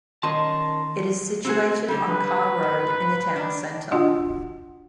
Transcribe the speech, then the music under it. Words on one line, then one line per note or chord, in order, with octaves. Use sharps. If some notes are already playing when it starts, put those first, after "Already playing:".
It is situated on Carr Road in the town centre.
D#3 C#4 A#4 D#5 A5 C6
C4 F#4 G#4
D3 G3
B4
G#2
D4
D4 F4 F#4 D#5 F#5